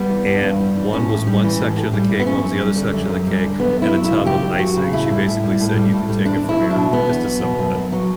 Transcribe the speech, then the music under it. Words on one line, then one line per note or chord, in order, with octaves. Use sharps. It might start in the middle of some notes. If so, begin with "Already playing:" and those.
and one was one section of the cake, one was the other section of the cake, and a tub of icing, she basically said, "You can take it from here, just assemble it".
Already playing: G3 B3
E3
G2
G2
G3
E3
A2 C#4
A2
G3
E3
A2
A2
G3
E3
B3
F#2 C#4
F#2
G3
D3
F#2
F#2
G3
D3
F#2 B3
F#2
E4
F#3
E4
C#3
F#2 G4
F#2
F#3 F#4
C#3
A2 E4
G3
A2
G3
A2
G3
A2
G3
E2 D4
E2
E4
F#3
D4
B2
E2 B3
E2
F#3
B2
F#2
F#2
F#3